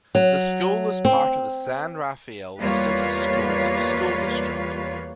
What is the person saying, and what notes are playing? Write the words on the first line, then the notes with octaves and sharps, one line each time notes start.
The school is part of the San Rafael City Schools school district.
F#3
C4
E2 G3 A#3 F4 B4 C#5